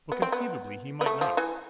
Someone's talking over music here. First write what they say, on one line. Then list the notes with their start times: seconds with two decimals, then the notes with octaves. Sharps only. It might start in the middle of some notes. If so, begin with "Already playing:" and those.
But conceivably he might not.
0.12 B3
0.22 C4
0.32 B3
1.01 B3
1.06 A3
1.21 F3
1.37 E3